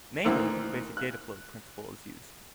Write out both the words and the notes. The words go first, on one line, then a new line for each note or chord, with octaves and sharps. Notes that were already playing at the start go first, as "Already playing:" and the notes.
Mainly, the basic dataflow principle is used.
D2 D#3 E3 A#3 C4
F#6